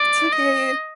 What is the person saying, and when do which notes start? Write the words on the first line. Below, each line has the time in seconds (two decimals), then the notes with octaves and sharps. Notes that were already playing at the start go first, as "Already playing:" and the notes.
It's okay.
Already playing: D5
0.33 D#5